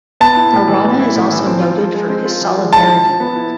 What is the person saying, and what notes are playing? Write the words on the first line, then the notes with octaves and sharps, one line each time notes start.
Arana is also noted for his solidarity work.
B3 A5
E4
A2
E3
B3
E4
A2
E3
C4
F4
F3
G#3
C4
F4
F3
G#3
E4 A5
F3
F3
B3
E4